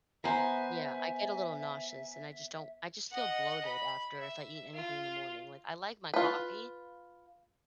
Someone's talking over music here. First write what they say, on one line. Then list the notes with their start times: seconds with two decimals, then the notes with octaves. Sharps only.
Yeah, I get a little nauseous, and I just don't I just feel bloated after if I eat anything in the morning, like, I like my coffee,
0.24 B3 C5 E5 G#5 A#5
3.11 D#5 F#5
3.66 B5
4.19 E5
4.74 F4
6.14 F4 B4